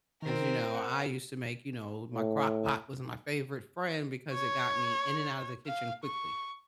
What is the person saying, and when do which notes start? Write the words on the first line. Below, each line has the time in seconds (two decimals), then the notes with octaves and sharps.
As you know, I used to make, you know my crockpot was my favorite friend because it got me in and out of the kitchen quickly.
0.22 D#3 C4 A#4
0.74 F#5
2.14 A2
4.33 C#5
5.66 F5
6.04 C#6